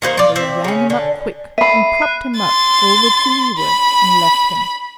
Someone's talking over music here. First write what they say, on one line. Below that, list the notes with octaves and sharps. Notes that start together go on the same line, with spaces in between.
And they ran him up quick, and propped him up, over to leeward, and left him.
D#3 A#3 B4 C5
F4 D5
C4 E5
C#3 C#4
D3
E5 B5 C7 D#7
F#6 C7 D#7
C6 A6
B5